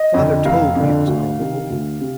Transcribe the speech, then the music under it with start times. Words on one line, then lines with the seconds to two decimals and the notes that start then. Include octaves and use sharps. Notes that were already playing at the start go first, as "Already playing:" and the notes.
'Father told me it was probable.'
Already playing: D#5
0.14 F2 D3
0.45 F1 F5
0.76 F2 D3
1.07 D2
1.39 C3 D#3
1.70 D2
2.01 C3